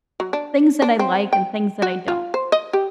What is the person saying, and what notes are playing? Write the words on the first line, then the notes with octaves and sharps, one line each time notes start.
things that I like and things that I don't.
F#3
D4
D4
C4
G5
F#4
F4
C5
D#5
G4